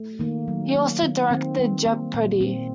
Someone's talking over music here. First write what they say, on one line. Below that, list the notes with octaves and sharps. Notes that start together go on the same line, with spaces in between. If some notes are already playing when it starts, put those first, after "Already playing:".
He also directed Jeopardy!
Already playing: A3
D#3 A#3
F#3
A#3
D#3
D#3 C4
G3
A#3
A#2
A#2 C4